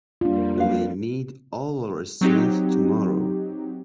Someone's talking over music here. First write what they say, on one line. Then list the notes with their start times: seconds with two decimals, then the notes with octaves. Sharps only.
We may need all our strength tomorrow.
0.21 F2 G3 A#3 D4 F4
0.57 B4 F5
2.21 F#3 C4 D#4 G4